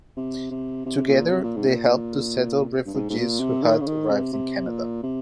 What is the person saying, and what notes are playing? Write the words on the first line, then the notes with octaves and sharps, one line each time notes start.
Together they helped to settle refugees who had arrived in Canada.
C3
C3
C3
A#2
C3
A#2
G#2
A#2
G2
G#2
G#2
A#2
C3
D#3
C#3
D#3
C3
C3
A#2
C3